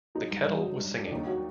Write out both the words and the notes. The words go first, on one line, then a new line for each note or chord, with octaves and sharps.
The kettle was singing.
F#3 D#4
G2
G2
F#3
G2
F#3
D4
D#2 D#4
F#3 F#4